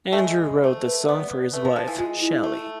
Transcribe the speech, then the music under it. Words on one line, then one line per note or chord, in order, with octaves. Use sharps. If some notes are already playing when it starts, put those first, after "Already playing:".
Andrew wrote the song for his wife, Shelly.
A3
G#3
A3 C5
B4
B3 D5
A3 B4
F3
F3
E3
G#3 F4
E4
A3